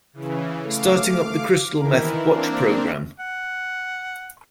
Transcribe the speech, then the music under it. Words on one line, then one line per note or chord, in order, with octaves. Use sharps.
Starting up the Crystal Meth Watch Program...
C#3 E3
A3 F5 D6
D#3 E3 E4 A#4
A#3 C4 D4
F#5